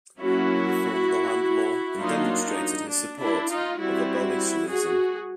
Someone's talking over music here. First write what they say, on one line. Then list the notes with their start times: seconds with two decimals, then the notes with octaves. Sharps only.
He reformed the land law and demonstrated his support of Abolitionism.
0.20 F#3 A#3 C#4 E4 F#4
2.00 F#3 A#3 D4 D#4 F4
2.44 D#4
2.89 D4
3.19 D4 E4
3.49 D#4 F4
3.79 G3 C4 E4 F#4
4.68 F#4 G#4